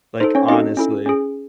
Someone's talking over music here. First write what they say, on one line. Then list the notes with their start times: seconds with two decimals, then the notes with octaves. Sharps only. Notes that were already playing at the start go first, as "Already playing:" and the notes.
Like, honestly.
0.20 D#4 A4 C5
0.35 C#4 C#5
0.48 C4 D#4 F#4 A4 D#5
0.77 C#4 E4 A4
1.06 C#4 G#4